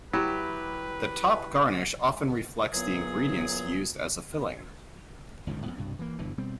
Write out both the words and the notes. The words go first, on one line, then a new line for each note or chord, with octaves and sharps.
The top garnish often reflects the ingredients used as a filling.
F#3 E4 G4 B4
A#2 C#3 E3 F#3 B3 G#4
G1 C#2 A2 D#3
F2 A2 B3
C2 G2 B2
E3 A#3
G1 G2 B2 E3
B2 G3 C4